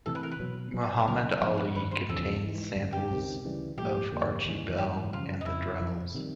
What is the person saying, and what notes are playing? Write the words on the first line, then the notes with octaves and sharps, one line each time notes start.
"Muhammad Ali" contains samples of Archie Bell and The Drells.
C3 E3 A3 A4
B4
A#4
B4
B2 F#3 B3
B2 F#3 B3
D2 C#3 F#3 A#3 A#4
G#2 F3 G#3 C4 A#4
B4
G2 D#3 G3 B4
C5
E2 C#3 F3 A4
G#2 E3 G#3
F#2 D3 G3
G4
C#2 C3 D#3
D2 C#3 E3 G3
C2 A#2 F3 A3 G4
F2 D3 F3 A#3
D#2 C#3 E3 G#3
G#2 E3 G3 A#3 G4
F#2 C#3 F3 F4
D#4
F2 C#3 F3 E4
F2 C3 F3
C3 D#3 G3